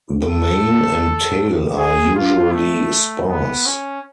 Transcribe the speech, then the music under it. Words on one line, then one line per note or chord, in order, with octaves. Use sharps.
The mane and tail are usually sparse.
A4
G#4
F4
A3
B3
C#4